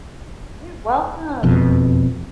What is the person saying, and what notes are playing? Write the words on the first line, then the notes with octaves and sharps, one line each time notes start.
You're welcome.
E1 F2 B2